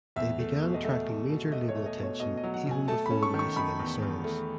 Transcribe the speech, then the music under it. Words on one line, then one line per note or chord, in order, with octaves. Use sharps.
They began attracting major label attention even before releasing any songs.
E2 E5
A3
B2
D#5
A3 E5
E2
B2
A3 D#5
C#5
A3
D#5
B2
C#5
B2 D#5
D#5
F#3
F#5
B2
G#5
A3 A5
C#4 B5
C#6
D#3
C#6
D#3 B5
E2
E2
A3